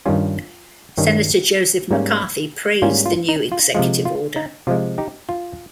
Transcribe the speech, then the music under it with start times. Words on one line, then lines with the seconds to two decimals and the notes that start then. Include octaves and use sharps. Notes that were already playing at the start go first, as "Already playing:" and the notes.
Senator Joseph McCarthy praised the new Executive Order.
0.06 G2 D#3 G3 C#4 F4
0.98 G2 D#3 G3 C#4
1.91 G#2 G3 A#3 C#4
2.82 G#2 G3 A#3 C#4 F4
3.06 F4
3.29 D#4
3.52 F4
3.75 C3 F3 G#3 F4
4.05 F4
4.36 D#4
4.67 C3 F3 G#3 F4
4.98 D#4 G4
5.29 F4